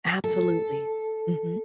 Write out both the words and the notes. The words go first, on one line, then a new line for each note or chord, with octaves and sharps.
Absolutely. Mhm.
A4